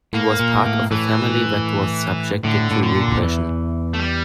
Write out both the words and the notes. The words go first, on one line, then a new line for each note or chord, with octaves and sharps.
He was part of a family that was subjected to repression.
A2 A#3
A#2
A2
A2 E3
A2 D3
A2
D3
A#2
E2 E3
A3
G3